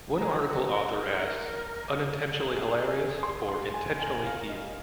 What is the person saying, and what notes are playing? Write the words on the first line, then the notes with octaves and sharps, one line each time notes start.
One article author asks, unintentionally hilarious or intentionally evil?
G#4 A#5
F#4
F#4
A#4
G#4
C6
C6
G#5
A#4 G#5
F5
D#5